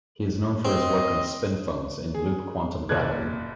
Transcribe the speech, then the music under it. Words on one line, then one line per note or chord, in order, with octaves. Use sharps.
He is known for his work on spin foams in loop quantum gravity.
C4 D#5
G#4
F#1 A#2 A4 D5 F#6 G#6